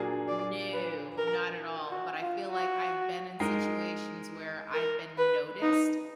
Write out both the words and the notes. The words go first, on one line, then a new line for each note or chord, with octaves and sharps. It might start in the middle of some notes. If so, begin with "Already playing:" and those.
No, not at all, but I feel like I've been in situations where I've been noticed,
Already playing: A#2 F#3 A#3 D4 G#4
D5
B4
A#4
F#4
F4
F#4
G#3 D#4 A#4
A#4
B4
D#4